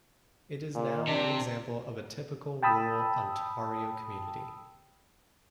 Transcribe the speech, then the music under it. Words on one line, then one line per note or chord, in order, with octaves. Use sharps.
It is now an example of a typical rural Ontario community.
A#2
C3 D4
G5 A5 B5 D#6 E6